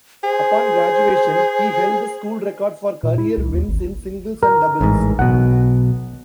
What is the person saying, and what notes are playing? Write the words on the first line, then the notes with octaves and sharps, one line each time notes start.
Upon graduation, he held the school record for career wins in singles and doubles.
G#4 C5
A#2
E4
C2
D#2
G#1
A#4
A1 G#2
B1 B2 F#5